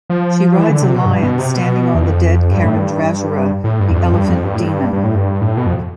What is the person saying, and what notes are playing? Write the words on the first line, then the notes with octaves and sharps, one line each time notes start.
She rides a lion standing on the dead Karindrasura, the Elephant Demon.
F3
E3
D3
C3
B2
G2
B2
C3
B2
E2
F2
G2
A2
G2
A2
G2
E2
F2
G2
F2
G2
A2
G2
G2
A2
G2
A2
B2
F2